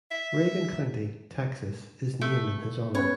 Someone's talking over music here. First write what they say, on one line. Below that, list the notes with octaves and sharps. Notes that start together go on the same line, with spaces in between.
Reagan County, Texas is named in his honor.
E5
A3
B3 C#4 B4 C#5